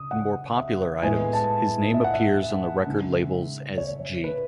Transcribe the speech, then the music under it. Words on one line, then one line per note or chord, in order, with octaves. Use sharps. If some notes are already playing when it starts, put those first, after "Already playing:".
In more popular items, his name appears on the record labels as 'G.
Already playing: C#3 D#6
F#5
E5
A2 G#3 B3 E4 G#5
A5
E5
F#5
E5
C#3 G#3 D#4
C#5
B4